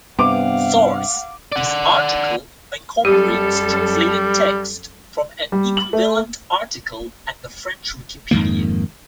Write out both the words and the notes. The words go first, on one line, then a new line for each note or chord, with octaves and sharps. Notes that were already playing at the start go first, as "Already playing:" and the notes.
Source: "This article incorporates translated text from an equivalent article at the French Wikipedia".
G2 C3 B3 F5 F#5 D6
D5 F#5
F#2 G3 G4 A4
G3
F#7
A3
F2 G#2 D#3 A#3